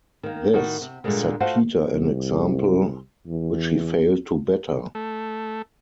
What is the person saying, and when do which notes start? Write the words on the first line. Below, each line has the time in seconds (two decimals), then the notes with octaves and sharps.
This set Peter an example which he failed to better.
0.23 D#3 A#3
0.53 A2 D#3 A3 F#4
0.81 C3
1.04 A#2 D3 E3 G3 G#3 A#3
1.40 A3 F4 F#4 C5 F5 F#5
1.93 C2
3.27 E2
4.95 A3